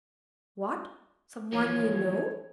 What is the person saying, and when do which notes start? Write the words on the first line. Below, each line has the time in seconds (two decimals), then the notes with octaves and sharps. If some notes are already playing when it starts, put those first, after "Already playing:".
"What! someone you know?"
1.52 E3 F3 A#3 C#5